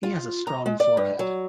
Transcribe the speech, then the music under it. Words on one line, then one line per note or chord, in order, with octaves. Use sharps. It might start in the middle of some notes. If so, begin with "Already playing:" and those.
He has a strong forehead.
F4
A#5
G#3
D5
G2
F#3